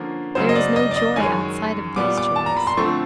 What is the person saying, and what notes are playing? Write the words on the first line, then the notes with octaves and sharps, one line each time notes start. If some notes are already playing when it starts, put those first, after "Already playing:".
There is no joy outside of these joys.
Already playing: D3 F3 A#3 C#4
C#3 F#3 B3 C5
D#5
D5
D#5
D5
D#5
F#2 D#3 G#3 C#4 G#5
A#2 G3 B3 D6
D6
A5
A#5
B5
C6
D3 F3 A3 C4 C#6